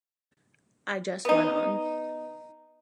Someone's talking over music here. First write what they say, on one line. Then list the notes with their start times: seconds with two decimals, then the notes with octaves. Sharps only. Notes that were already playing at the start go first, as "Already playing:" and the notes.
I just went on.
1.25 B3 D#4